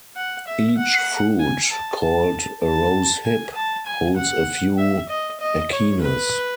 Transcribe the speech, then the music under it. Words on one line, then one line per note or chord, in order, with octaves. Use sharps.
Each fruit, called a rose hip, holds a few achenes.
F#5
E5
F#5
G#5
A5
A5
A5
G#5
A5
G#5
F#5
E5
D#5
D#5
C#5
B4